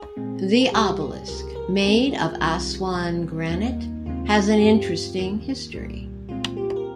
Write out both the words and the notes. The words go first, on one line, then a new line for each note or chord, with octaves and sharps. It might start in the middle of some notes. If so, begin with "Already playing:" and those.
The obelisk, made of Aswan granite, has an interesting history.
Already playing: G#4
A#2 G#3 C4
G#4
C#2 C3 G3 G4
G#4
C#2 C#3 F3 A#4
A#4
D#2 D#3 G#3 C4 G#4
F4
C2 C3 D#3 G3
C2 A#2 G3 C4
D#2 D#3 A#3 D#4
D#2 C#3 G#3 C4 F4
G4
G2 F3 C4 F4
D#2 D#3 G3 A#3
C2 A#2 G3
A#2 G#3 C4 F4
G4
A#4